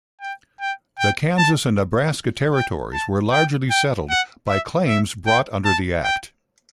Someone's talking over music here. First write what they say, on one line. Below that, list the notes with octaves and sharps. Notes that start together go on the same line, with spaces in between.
The Kansas and Nebraska Territories were largely settled by claims brought under the act.
G5
G5
G5
A5
G5
A5
G5
G5
F#5
E5
E5
G5
A5
G5